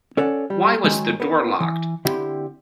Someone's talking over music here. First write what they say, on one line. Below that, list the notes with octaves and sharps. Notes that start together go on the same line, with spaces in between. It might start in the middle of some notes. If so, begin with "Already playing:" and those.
Why was the door locked?
C#4 A4 D5 F#5
G3
D#3 F#3 G#3
B3 A#4
E3
D3 C4 E4 G4